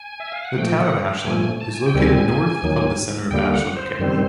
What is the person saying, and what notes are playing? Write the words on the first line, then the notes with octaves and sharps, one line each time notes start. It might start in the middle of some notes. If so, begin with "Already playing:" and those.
The town of Ashland is located north of the center of Ashland County.
Already playing: G#5
E5
F5
F#5
A#2 F3 A3 G5
G5
F#5
G5
A#2 F3 A3 G#5
A5
G#5
G5
D2 C3 D#3 G3 C4 G#5
D#2 D#3 F#3
D#2 D3 G3 A#3 G5
F#5
C5
F#2 D#3 G3 C4